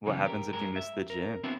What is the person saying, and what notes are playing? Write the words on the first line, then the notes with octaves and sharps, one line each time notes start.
What happens if you miss the gym?
C#3 E3 F#3 G3 B3
G4 A#4
G2 G#3 A#4
E5
A#4
B3 C4 D4 E4 F#4